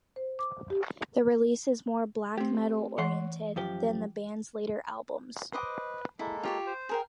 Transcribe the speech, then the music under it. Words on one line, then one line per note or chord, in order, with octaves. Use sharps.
The release is more black metal oriented than the band's later albums.
C5
D6
G4
A3 C4 G4
E3 C#5 F#5 C6
F#2 F3 G4
B4 C5 D#5 D6
G#3 A#3 E4 A4
F4 G4 C#5
C5
G#4 A#4 G5